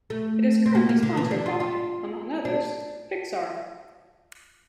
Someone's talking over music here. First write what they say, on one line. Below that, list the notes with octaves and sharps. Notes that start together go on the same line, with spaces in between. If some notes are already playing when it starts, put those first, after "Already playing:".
It is currently sponsored by, among others, Pixar.
A3
C4
A#3
A#3
D3
E3
D4
F4
F4
D4